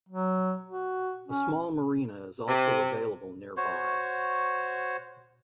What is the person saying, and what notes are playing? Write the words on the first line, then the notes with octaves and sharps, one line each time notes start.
A small marina is also available nearby.
F#3
F#4
C#4
C3
F#4 C5 C#5